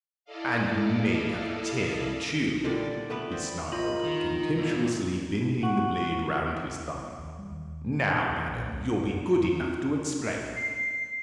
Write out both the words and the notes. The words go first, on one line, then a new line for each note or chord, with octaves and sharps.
And made of tin, too!" he snarled, contemptuously bending the blade round his thumb. "Now, Madam, you'll be good enough to explain.
E4 A4 D5 D#5 F5
A#2 D3 G3 D5
A3 B3 B4 D5
C4
D#4 F4 A#4 B5
D#3
E2 A#2 E4 D5
F#5 C#6
D#2
G3
D#2
B2
E3
E2
A#1
C2
B3
F2
F2
C4
C7